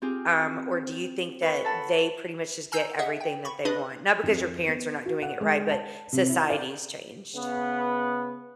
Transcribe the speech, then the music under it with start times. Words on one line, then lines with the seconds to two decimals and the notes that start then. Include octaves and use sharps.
Um, or do you think that they pretty much just get everything that they want? Not because your parents are not doing it right, but society's changed.
0.02 C4 F4 G4 G#4
1.42 B4 C#5
1.64 A4 F#5 A5 B5
2.72 G#5 A#5 E6 G6 C7
2.99 G#4 D#5 E5 F#5
3.21 G5
3.45 B5 C#6
3.65 D4 B4 D#5 B5
4.23 F2
4.67 B3
5.06 F#4
5.22 F#5
5.41 G#3
5.71 A5
6.13 C3
6.29 E4
6.50 D5
7.35 C#3 B3